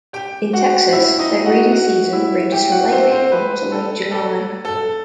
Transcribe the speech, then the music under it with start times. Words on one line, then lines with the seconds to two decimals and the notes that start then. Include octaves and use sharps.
In Texas, their breeding season ranges from late April to late July.
0.13 G4 G5
0.53 F#4 F#5
0.93 E4 E5
1.19 D#4 D#5
1.46 F#4 F#5
1.72 F#4 F#5
2.13 E4 E5
2.52 G4 G5
2.72 F#4 F#5
2.92 C4 C5
3.12 C4 C5
3.32 B4
3.72 A4
4.11 A4
4.65 A4